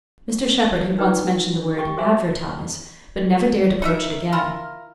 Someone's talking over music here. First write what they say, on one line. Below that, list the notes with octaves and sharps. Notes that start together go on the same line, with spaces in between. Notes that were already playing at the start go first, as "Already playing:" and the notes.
Mr Shepherd had once mentioned the word "advertise," but never dared approach it again.
D4 D#4 B4 D5 G5 B5
D4
G4 D#5 G5 C#6
F#4 G#4 C5 D5 E5 G#5
D#4 A#4 E5
E4 F4 A#4